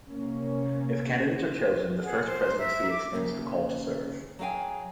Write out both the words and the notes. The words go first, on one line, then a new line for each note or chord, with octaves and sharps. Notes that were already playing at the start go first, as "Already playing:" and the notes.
If candidates are chosen, the First Presidency extends the call to serve.
C3 A#3 C#4
G#4 F#5
C5
E5 A#5
D6
D#2 C#3 A#3
F#3 G#4 F5 G5 G#5